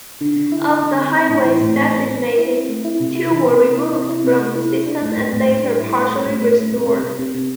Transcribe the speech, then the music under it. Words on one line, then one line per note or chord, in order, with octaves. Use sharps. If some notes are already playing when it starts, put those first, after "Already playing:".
Of the highways designated, two were removed from the system and later partially restored.
D3
D3
E4
D3
D3
C4
C4
A2
E3
A2
C4
C4
C4
C4
E4
C4
A3
E4
C3
E4
E3
C3
C3
E4
C3
E4
C3
A3
E4
E4
D4
A2
A2
A2
A2
G3
E4
A3
A2
A2
A3
A3
C3
C3
C3
C3
C3